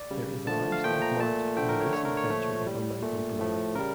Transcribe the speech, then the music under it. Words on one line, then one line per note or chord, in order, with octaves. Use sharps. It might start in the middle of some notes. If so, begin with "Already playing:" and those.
There is a livestock mart and a recent venture of a microbrewery.
Already playing: D5
C#3 G3
D3 F3 A3 A5
F5
A#2 F3 A3 G5
A#5
A#2 A3 A5
D3 F3 A3 G5
A#4
C#5
D3 A3 C#5
A#4
C#5
A#2 F3 A3
A2 G3
A#2 A3
A2 F3 A3
C#3 G3 A#4